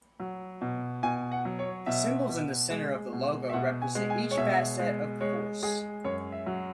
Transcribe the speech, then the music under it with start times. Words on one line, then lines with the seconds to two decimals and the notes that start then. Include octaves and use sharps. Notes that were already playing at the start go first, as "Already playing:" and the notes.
The symbols in the center of the logo represent each facet of the force.
0.20 F#3
0.61 B2
1.03 B2 G#5
1.32 F#5
1.45 F#3
1.59 C#5
1.86 B2 E5
2.29 B2
2.70 G#3
3.12 B2
3.49 E5
3.53 B2 F#5
3.82 G#5
3.95 G#3
4.10 G#5
4.31 C#5
4.37 B2 E5
4.79 G#3
5.20 G#3 C#5
5.63 G#3 G#4
6.04 F#2 C#5
6.32 E5
6.46 F#3